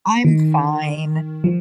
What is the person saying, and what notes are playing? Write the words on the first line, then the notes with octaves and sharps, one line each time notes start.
I'm fine
D#3
F3